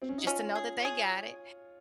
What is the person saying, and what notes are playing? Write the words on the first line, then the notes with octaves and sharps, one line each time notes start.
just to know that they got it,
C4
C#4
D#4
C#4 F4
G#4
G#4 C#5